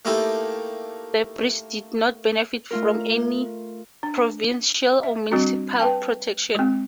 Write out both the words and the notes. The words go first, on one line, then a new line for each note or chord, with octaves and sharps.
The bridge did not benefit from any provincial or municipal protection.
A3 A#3 D#4 E4 G4 A4
A3 F4 A#4
D4
E5
G3 C4 D4 F#4
B4 G5 A5
G#3 C4